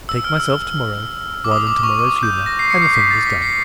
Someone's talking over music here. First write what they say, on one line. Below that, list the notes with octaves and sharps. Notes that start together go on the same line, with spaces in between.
Take myself to-morrow while in to-morrow's humour, and the thing was done.
E6
F6
E6
D6
D#6
D6
C#6
D6
G6
A#6
C7
C#7
C7
B6
A6
B6
C7